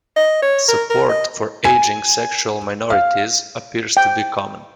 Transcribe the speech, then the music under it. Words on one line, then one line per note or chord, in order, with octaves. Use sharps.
Support for aging sexual minorities appears to be common.
D#5
C#5
A#4
A#4
D#5
G#5
F5
G5